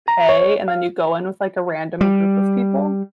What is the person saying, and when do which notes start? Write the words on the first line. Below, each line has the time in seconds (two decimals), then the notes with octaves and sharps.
pay and then you go in with, like, a random group of people.
0.08 A#5
0.29 C#5
0.68 F5
2.01 G3